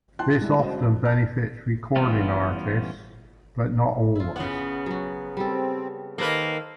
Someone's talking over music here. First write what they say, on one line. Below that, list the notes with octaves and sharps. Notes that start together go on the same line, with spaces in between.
This often benefits recording artists, but not always.
E3 F3 G5 A5 C6 F#6
D3 G3 G#3 E4
G#3 C#4 F#4 C5 D#5
F2
A5 F6
E3 G3 B3 C#4 F4
E4 F4
C#3 B3
F#3 F#4
G3 C4 A4
D#3 A#3 A4 B4 C5